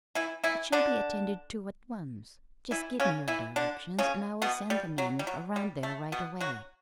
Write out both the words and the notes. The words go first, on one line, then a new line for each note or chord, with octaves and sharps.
"It shall be attended to at once. Just give me your directions and I will send the men around there right away."
E3 E4
E3 E4
D3 D4
E3 E4
C#3 C#4
E3 E4
D3 D4
C#3 C#4
B2 B3
G3
F#3
G3
F#3
G3
A3
B2 B3
F#3 F#4